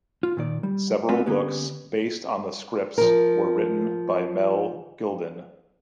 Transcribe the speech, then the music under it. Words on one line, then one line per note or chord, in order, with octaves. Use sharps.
Several books based on the scripts were written by Mel Gilden.
F4
A#2 D#3 D5
G3
A3 B3 C4 A#4 E5
D3 A#3 B3 C#4 G4 B4
F3 A#4